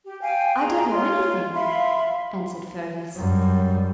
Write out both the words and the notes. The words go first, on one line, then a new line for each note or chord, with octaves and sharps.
"I don't know anything," answered Fergus.
G4
F5 G5 G#5
G#4 A#5
F4 C#5 C6
E5 F5 B5 C6
F#2 G3